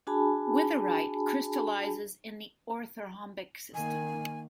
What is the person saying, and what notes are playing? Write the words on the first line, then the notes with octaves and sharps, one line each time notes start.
Witherite crystallizes in the orthorhombic system.
D4 F#4 G#4 G#5 A5 B5
D#3 A#3 G#5